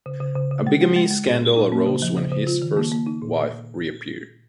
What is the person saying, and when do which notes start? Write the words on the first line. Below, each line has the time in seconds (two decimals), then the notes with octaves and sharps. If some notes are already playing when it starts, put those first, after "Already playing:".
A bigamy scandal arose when his first wife reappeared.
0.06 C#3
0.21 C#3
0.35 C#3
0.51 C#3
0.67 G#3
0.81 G#3
0.96 G#3
1.11 G#3
1.27 A#2
1.41 A#2
1.57 D#4
1.72 A#3
1.86 C#3
2.02 F3
2.17 C#3
2.32 C#3
2.47 F4
2.62 D#3
2.77 A#3
2.92 A#3
3.06 D#4
3.22 A#2